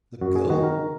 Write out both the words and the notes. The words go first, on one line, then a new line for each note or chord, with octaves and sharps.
"The goat?"
F#2 F#4
G#4
D#3 F#4
A#4